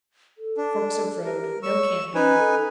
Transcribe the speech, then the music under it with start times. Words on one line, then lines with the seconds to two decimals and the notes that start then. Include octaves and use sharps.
Forks of Road.--No camping.
0.38 A4
0.58 D4
1.25 G4 A#4
1.63 C#5 C#6 E6
2.15 C#4 D#4 B4 G#5
2.39 A4